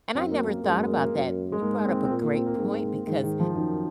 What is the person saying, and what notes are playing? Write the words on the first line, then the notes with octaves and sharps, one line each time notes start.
And I never thought about that. You brought up a great point because
F#2 C4
A#3
A#3
F#2 G#3
A#3
A#3
A#3
F#2
G#3
G#2 A#3
C4
C4
A#2 A#3
A#3
C4
A#3
G#2
G#2 D#3
D#3
F3
F#2 D#3